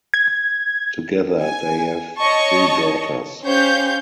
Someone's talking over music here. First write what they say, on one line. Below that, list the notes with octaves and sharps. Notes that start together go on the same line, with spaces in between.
Together they have three daughters.
G#6
G#5
C#5 D#5 A5 C#6
C#4 G4 C5 C#5 F5 G6